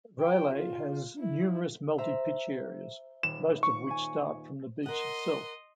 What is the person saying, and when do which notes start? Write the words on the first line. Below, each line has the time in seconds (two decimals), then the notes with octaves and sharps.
Railay has numerous multi-pitch areas most of which start from the beach itself.
0.21 G5
0.55 F4
1.19 E4
1.98 C5 E5 A#5
3.23 D#1 E7
3.63 C#6
3.90 G#5
4.86 A#4 D#5 F#5 C6